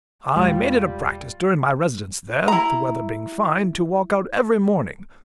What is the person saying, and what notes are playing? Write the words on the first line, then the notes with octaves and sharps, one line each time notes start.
I made it a practice during my residence there, the weather being fine, to walk out every morning.
E2 B2 F3 G3 G#3 F4
E4 A#5